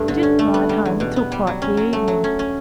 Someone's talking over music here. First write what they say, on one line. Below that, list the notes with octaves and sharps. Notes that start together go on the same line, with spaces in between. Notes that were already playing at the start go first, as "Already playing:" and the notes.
We didn't ride home till quite the evening.
Already playing: G2 A3
D3
C#4
A3
B3
G3
E2
B2
B3
G3
F#3
C#4
F#3
A3
F#3
C#4
C#4